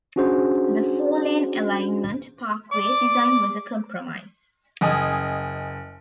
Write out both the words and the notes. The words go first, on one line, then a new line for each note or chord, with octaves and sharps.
The four-lane alignment, "parkway" design was a compromise.
C#4 D4 F#4 G#4 C5
D5 D6
F#1 D#5 G#5 D#6